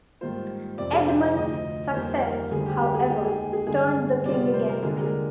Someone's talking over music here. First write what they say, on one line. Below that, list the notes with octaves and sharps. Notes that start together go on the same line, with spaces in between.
Edmund's success, however, turned the king against him.
G#2 D#3 G3 A#3 F4 C5
F2 C3 F3 C4 D5
G#4
C5
D2 D3 F3 D#5
F2 D#3 G3 A#3 D#4 C5
A#4
D2 D3 G3 G#4
G4
G4
G#4
D#2 D#3 G#3 D#4 G4
G#4
G#4
G2 D3 G#3 D#4 G#4
C3 D#3 G3 C4 F4 D5
D5
C5
A#4
D#2 D3 G#3 D4 F4 G#4
A#4
G#4